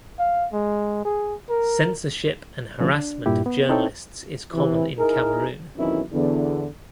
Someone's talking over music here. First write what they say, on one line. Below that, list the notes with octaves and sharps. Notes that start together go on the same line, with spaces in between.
Censorship and harassment of journalists is common in Cameroon.
F5
G#3
G#4
A#4
D3 F3 A3 C#4
D4
G2 A#2 E4 G4
B3
C4 D#4 E4 A4 C#5 G5
C3 E3
D#4 E4 G#4 A#4
B1 F2 D#3 E3 C#4 E4
E2 D3